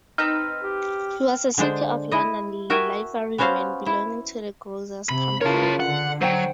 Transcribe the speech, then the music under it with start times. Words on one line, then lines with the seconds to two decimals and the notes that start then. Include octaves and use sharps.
He was a City of London Liveryman, belonging to the Grocers' Company.
0.18 C4 D#4 B4 F6 G6
0.64 G4
1.58 D3 G#3 D4 C5
2.12 E4 D#5
2.70 F#4 A#4 E5 G5 G#5
3.38 B3 C#4 F#4 C5 F5
3.86 E4
5.09 C3 B5
5.41 C#3 E4 F4 A#4 B4 C#5 A5
5.80 D3 F#5
6.21 F#3 C5 F#5 G5